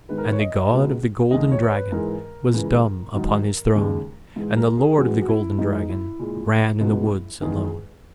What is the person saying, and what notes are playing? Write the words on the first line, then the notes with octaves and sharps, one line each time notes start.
And the God of the Golden Dragon Was dumb upon his throne, And the lord of the Golden Dragon Ran in the woods alone.
G#2 D#3 G#3 B4
A#4
B4
C#5
D#5
C#2 B2 G#3
D#2 D#3 G#3 D#5
C#5
C#5
B4
G#2 E3 G#3 A#4
C#2 C#3 E3
G#2 D#3 F#3
D#2 C#3 G#3
G#2 E3 G#3
A#4
G#4
F#2 E3 G#3 F#4
F#4
E4
G#2 E3 G#3 D#4
E4
A#2 G#3
C#2 B2 G#3
E2 D#3 G#3 G#4